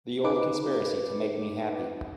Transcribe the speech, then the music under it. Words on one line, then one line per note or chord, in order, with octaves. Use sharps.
The old conspiracy to make me happy!
D#4 B4 D6